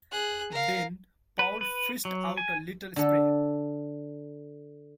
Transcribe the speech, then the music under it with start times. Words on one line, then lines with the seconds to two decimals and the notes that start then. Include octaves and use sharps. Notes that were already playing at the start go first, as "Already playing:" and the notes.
Then Paul fished out a little spray.
0.12 G#4 F#6
0.52 A#4 F5
1.39 B4
1.61 B4
2.05 F#3
2.37 G#5
2.96 D3 A4